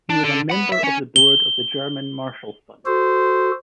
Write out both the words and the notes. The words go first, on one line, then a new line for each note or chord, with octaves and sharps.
He was a member of the Board of the German Marshall Fund.
D4
D3
F#5 B5
E5
C#4
G7
F#4 A4 C5